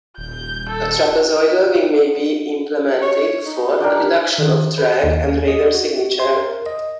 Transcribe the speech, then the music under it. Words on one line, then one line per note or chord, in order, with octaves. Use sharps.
A trapezoidal wing may be implemented for reduction of drag and radar signature.
D#1 G6
A4
C#5
D#4
D4 G4 A#4
D#3
B4
D#2
D#5
F#4
C6
A#4
D#5